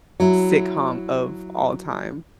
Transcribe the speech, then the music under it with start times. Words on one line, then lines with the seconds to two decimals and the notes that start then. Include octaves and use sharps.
sitcom of all time.
0.20 F#3 E4